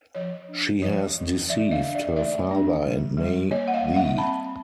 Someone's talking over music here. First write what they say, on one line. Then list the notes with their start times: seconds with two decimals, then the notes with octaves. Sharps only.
She has deceived her father and may thee.
0.15 F3 C#5 D#5
0.48 D4
0.82 F3 C#5 D#5
1.16 F3
1.49 E3 D5 E5
1.71 D#5 F5
1.83 D4
1.95 D5 E5
2.16 A3 D5 E5
2.51 D4
2.84 G3
3.17 G3
3.51 A#3 C#5 D#5
3.68 F#5
3.74 D#5 F5
3.84 G3
3.96 E5 F#5
4.18 C4 A5 B5